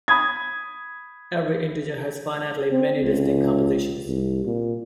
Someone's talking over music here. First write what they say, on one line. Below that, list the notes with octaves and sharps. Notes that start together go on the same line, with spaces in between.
Every integer has finitely many distinct compositions.
B5 D#6 G#6
C4
C#2
C2
A#2